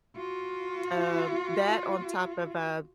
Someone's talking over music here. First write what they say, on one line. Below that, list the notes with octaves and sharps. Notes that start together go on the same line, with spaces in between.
um, that, on top of, uh,
F4 F#4